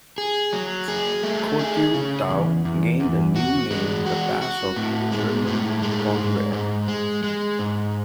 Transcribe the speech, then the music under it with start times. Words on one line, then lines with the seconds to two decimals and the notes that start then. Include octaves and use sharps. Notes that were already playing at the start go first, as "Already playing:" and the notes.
Khotyu-tau gained a new name - "The Pass of General Konrad".
0.18 G#4
0.53 F#3
0.88 G#4
1.23 A3
1.59 G#4
1.94 C#3
2.30 E2
2.65 E2
3.00 E2
3.36 F#4
3.71 G#3
4.06 F#4
4.42 F#4
4.76 A2
5.11 G#3
5.47 A2
5.82 G#3
6.18 G#2
6.53 G#2
6.88 G#3
7.24 G#3
7.59 G#2